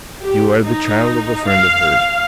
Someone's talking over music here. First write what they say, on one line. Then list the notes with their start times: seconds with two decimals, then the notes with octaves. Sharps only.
You are the child of a friend of hers.
0.24 G4
0.63 D#4
1.47 F5